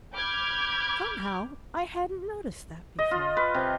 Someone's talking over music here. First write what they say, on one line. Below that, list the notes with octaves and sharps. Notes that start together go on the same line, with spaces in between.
Somehow I hadn't noticed that before.
B5 D6 F6 G6 G#6
D#5
F4
B4
C3